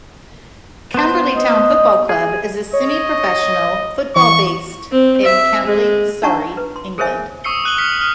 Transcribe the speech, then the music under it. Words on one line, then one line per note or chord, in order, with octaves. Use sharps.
Camberley Town Football Club is a semi-professional football based in Camberley, Surrey, England.
B3 C5
D#5
G#4
C#5 D#5
E3 C#6
C4
E5
G#3
D4 D#4 F#5 A5 A#5 C#6
B4
C6
G#4 A#4 C5 C#5 E5 G#5
C#6 D#6 E6 C7 C#7 G7
C#6 D#6 F#6 D#7 F#7 G7
F6 B6 C#7 D#7 F#7
D#6 F6